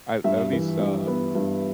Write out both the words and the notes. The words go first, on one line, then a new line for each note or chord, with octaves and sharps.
I at least, uh,
G2 E5
E3
G2
B3
G2